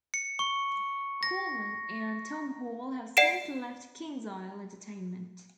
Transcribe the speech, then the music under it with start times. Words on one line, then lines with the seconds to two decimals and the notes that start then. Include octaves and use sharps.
Coleman and Tom Hall have since left KingsIsle Entertainment.
0.14 C#7
0.39 C#6
1.23 A#6
3.17 D5 F#5 B6 C7 D7 E7